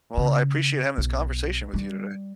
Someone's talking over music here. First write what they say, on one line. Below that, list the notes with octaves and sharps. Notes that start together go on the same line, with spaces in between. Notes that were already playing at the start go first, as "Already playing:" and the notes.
Well, I appreciate having this conversation with you today.
C#3
B1
G3